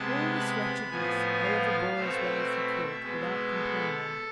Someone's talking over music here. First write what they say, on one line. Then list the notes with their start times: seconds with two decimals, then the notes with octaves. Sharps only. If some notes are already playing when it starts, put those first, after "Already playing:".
All this wretchedness Oliver bore as well as he could, without complaining.
Already playing: C3 G#3 B3 A5
0.39 B5
0.91 A2 F3 B3 G#5
1.44 F5
1.97 B2 A3 C4 E5
2.50 E5
3.03 B2 G#3 B3
3.55 A4